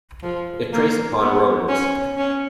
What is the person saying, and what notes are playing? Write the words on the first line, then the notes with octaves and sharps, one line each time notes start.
It preys upon rodents.
F3
A#3
B3
C#4
C#4